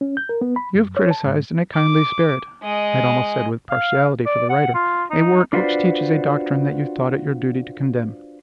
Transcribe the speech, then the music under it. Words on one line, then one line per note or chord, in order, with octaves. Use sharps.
You have criticised in a kindly spirit--I had almost said with partiality for the writer--a work which teaches a doctrine that you thought it your duty to condemn.
C#4
G6
A#4
B3
B5
F#2
C#5
A5
G#2
D6
G#3 D#5
F5
D5
F#5
F4
D#4
D4 F4 F#4 B4 C5 D5